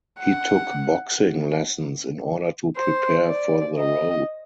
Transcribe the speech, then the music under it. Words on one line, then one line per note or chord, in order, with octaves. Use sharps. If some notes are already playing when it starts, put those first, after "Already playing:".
He took boxing lessons in order to prepare for the role.
F#5
C5
D5
D#5